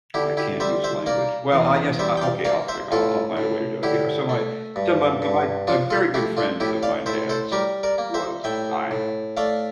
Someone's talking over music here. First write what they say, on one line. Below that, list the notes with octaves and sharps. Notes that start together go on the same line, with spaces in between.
oh, I can't use language. Well, I guess, uh, okay. I'll f I'll find a way to do it here. So my so my my a very good friend of my dad's was dying.
D3 E4 G4
E4 G4
G3 C5 E5
C5 E5
A#3 A#4 D5
E2
G3 C5 E5
G5
D5 F5
A#3 D5 F5
C5 E5
A2 F4 A4
A2
D3 E4 G4
A3
G2
G2
F3 D4 F4
F4 A4
A3 E4 G4
D4 F4
A2 E4 G4
D5 F5
A2 C5 E5
A4 C5
G3 G4 A#4
A#4 D5
A#3
C5 E5
A2 E5 G5
A2
A3 D5 F5